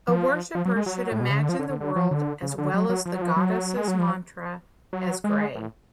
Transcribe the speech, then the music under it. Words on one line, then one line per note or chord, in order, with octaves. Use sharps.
A worshipper should imagine the world as well as the goddess's mantra as grey.
F3
F3
F#3
G#3
F#3
A2
B2
C#3
D3
F3
D3
D3
D3
F3
D3
C#3
D3
F#3
F#3
F3
F#3
F3
F#3
G#3
F#3
F3
F#3
G#3
A2